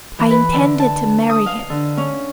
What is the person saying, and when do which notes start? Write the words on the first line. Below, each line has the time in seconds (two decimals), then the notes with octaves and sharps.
I intended to marry him.
0.19 E3
0.31 B4
0.54 D3
0.80 A5
1.30 D#6
1.46 F5
1.70 D3
1.97 C#4